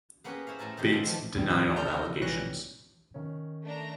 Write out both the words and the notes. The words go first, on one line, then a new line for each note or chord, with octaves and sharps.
Bates denied all allegations.
A#3 B3 C#4 G4 G#4 B4
E4 C5 C#5 F5
A2 A4 A#4 G#5 A5
A2 D#3 F4 G4 G#4 G5
G2 D3 A4 F#5 A5 C6
D#3 F3 A3
E2 A2 D#3 G3
A4 A#5 F6 G6
A#1 E3 G3 C#5 F#6 A#6
D#3 C#4
A3 D4 A#5